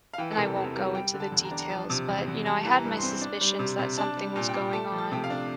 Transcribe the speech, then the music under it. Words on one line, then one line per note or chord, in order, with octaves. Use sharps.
and I won't go into the details, but, you know, I had my suspicions that something was going on,
F5
E3 G5
A4
C3 A#4
E2 A4
G3 A#4
G3 G5
D3
A5
E2
A#5
D4
A#5
F3 A5
C3
E2
E2
G3 A5
E3
A#5
G2
C6
C4
D4
G3
C3
C3
D4 A5
G3
A#2
G5
A#2
A3 A5
F3
A5
C3 G5
F5
D4